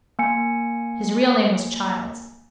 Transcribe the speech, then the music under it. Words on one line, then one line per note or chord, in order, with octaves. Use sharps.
His real name was Childs.
A#3 G#5 C#7